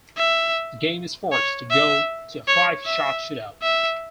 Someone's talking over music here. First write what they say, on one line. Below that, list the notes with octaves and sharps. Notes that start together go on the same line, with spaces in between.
The game is forced to go to a five-shot shootout.
E5
C#5
E5
C#5
E5
E5